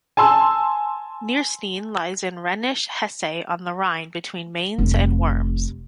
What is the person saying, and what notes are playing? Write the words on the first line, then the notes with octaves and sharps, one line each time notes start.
Nierstein lies in Rhenish Hesse on the Rhine between Mainz and Worms.
G#5 A5 C6 E6
F1